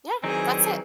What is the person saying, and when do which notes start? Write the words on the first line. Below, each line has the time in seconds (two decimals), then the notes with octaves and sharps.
Yeah, that's it.
0.24 D#3 E3 F#3 G3 C4 D#4 G#4 G#5